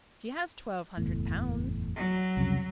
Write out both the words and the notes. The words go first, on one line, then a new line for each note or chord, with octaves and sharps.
"She has twelve hundred pounds."
F#1 E2 A2
F#3
C2 F2 C#3